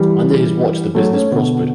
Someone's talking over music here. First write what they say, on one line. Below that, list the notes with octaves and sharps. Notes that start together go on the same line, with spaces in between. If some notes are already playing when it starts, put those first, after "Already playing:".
Under his watch the business prospered.
Already playing: E3 G3
F#3 A3
A3 C#4
B2 D3